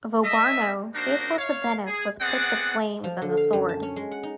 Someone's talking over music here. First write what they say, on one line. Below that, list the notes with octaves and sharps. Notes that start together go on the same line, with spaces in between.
Vobarno, faithful to Venice, was put to flames and the sword.
D#5 E5
A#3 D4 D#4 F#4 A#4 C5
C#5 F5
G#4
B3 C4 G#4 D5 F#5
F3
D3
F5
F#2
A5
C#4
G#3
F#5
D#4